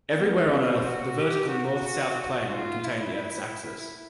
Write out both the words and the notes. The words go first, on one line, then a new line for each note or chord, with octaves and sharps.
Everywhere on Earth the vertical north-south plane would contain the Earth's axis.
B3
C4
F#4
G4
F#4
F4
E4